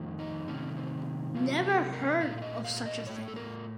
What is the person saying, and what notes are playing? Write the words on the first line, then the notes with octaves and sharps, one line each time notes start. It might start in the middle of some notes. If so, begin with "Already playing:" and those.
Never heard of such a thing.
Already playing: F2 D#3 A3
D#4
C3 D#3 A3 C#4
C4
C3 F#3 A3 F4
A4
A#4
A#2 A3 F5
F5
D#5
F5
D#5
A2 A3 C#5
A4
A#4